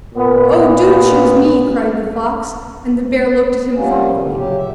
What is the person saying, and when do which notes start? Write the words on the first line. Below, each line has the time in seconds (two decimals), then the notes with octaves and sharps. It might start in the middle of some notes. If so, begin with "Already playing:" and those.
'Oh, do choose me,' cried the fox, and the bear looked at him thoughtfully.
0.15 A#2 B3
3.74 C3 F3 G3 A#3 B3 C#4
4.20 A2 D3 G3
4.34 C#3 F#3 G4
4.57 A#2 F#3 E5